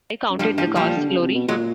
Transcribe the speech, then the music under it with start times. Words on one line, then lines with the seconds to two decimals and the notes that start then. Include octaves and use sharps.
I counted the cost, Lori.
0.30 F#2
0.39 G2 F3 G3
0.53 G2 F3 G3
0.67 A2
0.76 A#2 F3 G3
0.96 D3
1.09 C#3
1.22 C3
1.35 B2
1.48 A#2 F#3 G#3